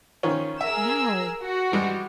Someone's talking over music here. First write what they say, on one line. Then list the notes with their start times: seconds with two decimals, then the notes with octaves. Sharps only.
But now!
0.23 D#3 F3 C#4
0.61 G#4 A#4 E5 E6
1.42 F#4
1.72 E3 G3 G#3